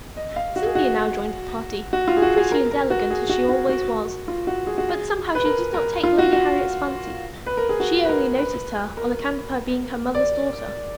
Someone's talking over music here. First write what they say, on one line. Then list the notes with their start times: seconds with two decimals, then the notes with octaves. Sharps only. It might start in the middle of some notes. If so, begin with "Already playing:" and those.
Cynthia now joined the party, pretty and elegant as she always was; but somehow she did not take Lady Harriet's fancy; she only noticed her on account of her being her mother's daughter.
0.17 D#5
0.36 F5
0.56 F#4
0.66 G#4
0.75 F#4
1.93 F#4
2.08 F4
2.17 G#4
2.22 F#4
2.37 G#4
2.52 A#4
2.71 A#4
2.90 F#4
3.10 G#4
3.29 F#4
3.49 F#4
3.69 F#4
4.28 F4
4.47 F#4
4.67 G#4
4.78 F#4
4.89 G#4
5.35 B4
5.45 A#4
5.74 A#4
6.03 F4
6.18 F#4
6.33 F#4
7.46 B4
7.57 A#4
7.69 G#4
7.80 F#4
8.05 B4
8.09 A#4
8.38 B4
8.97 A#4
10.15 D5